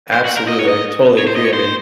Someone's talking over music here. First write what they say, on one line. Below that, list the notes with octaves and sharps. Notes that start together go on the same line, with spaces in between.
Absolutely, I totally agree, I mean,
C5
F#4
A#4
D#5
C#5
D#5
C#5
C5
D#5
C#5
C5